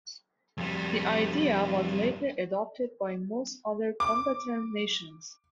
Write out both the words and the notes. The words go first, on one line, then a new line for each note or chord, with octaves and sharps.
The idea was later adopted by most other combatant nations.
F2 G3
D6